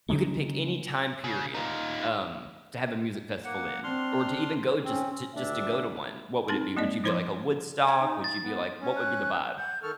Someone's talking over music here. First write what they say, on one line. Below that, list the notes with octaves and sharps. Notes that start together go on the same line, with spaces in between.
you could pick any time period, um, to have a music festival in or to even go just just to go to one, what would it be? Would you be like a Woodstock? Would you be like what would be the vibe?
C#3 F#3 G#3 A#3
C#3
D#4 F4
A#3 F#5
C4 D4 C6 F6
C4 C#4
D2 D4 G4 E5
C4 D#4 A4 C6
G#3 A#3 C4 D5 D#5
F3 E4 C5 C#5 C6 D6
G4 G#4 G#5
D#4
A6
B3
C#4
F#6
F#5 G6
D#3 A4 C#6 F6